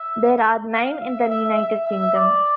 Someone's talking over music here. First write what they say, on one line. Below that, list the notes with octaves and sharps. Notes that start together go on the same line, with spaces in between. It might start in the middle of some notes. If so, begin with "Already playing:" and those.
There are nine in the United Kingdom.
Already playing: E5
F5
E5
E5
E5
E5
D5